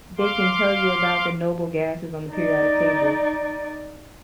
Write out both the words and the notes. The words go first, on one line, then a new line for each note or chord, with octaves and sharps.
they can tell you about the noble gasses on the periodic table.
F5 C6 D6
D#4 D5